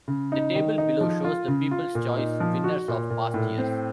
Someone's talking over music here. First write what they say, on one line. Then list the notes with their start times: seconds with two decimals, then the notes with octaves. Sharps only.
The table below shows the People's Choice winners of past years.
0.08 C#3
0.32 D#4
0.55 D#3
0.78 D#4
1.01 F3
1.24 F4
1.48 C#3
1.71 F4
1.95 A#2
2.17 D#4
2.40 F3
2.64 F#4
2.88 A#2
3.10 A#2
3.34 A2
3.58 C4